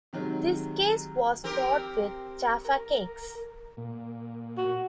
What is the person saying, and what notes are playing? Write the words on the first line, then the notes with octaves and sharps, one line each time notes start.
This case was fought with Jaffacakes.
C3 D#3 F#3 G#3
C4 G4 A#4
A#4
A#2
F#4